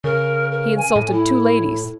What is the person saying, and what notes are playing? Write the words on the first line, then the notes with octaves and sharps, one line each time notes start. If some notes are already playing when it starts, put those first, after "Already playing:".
He insulted two ladies.
C#3 A#4
A#4
G#5
A2
E4